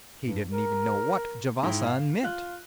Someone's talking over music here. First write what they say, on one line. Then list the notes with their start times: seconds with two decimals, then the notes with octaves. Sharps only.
He didn't even know what Javasan meant.
0.24 G2
0.52 A#4
1.63 G#2 E4 G5
1.86 F5
2.23 F4 F#6